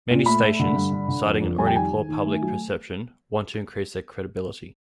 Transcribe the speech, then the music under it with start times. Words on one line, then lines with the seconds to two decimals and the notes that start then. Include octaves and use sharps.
Many stations, citing an already poor public perception, want to increase their credibility.
0.10 A#2
0.26 A3 B5
0.43 A3
0.60 D3
0.75 G2
0.92 D3
1.08 D3
1.26 F2
1.42 F2
1.58 G3 G#5
1.67 G5
1.76 D#3 G#5
1.91 D#3
2.09 D#3
2.25 A3
2.42 F#3